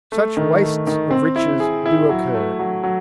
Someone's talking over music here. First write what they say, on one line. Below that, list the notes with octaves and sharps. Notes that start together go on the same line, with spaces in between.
Such wastes of riches do occur.
A3
D#3
A3
D#3
C4
E4
G#4
E4
F#3
A3
F#3
F#3